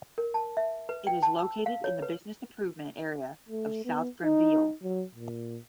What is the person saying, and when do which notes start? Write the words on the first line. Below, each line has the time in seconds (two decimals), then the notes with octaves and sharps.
It is located in the Business Improvement Area of South Granville.
0.18 A#4
0.34 A5
0.57 E5
0.89 B4
1.07 G5
1.23 A5
1.39 E6
1.66 F5
1.84 C#5
2.02 B4
3.49 A3
3.85 B3
4.24 D#4
4.83 F#3
5.15 A#2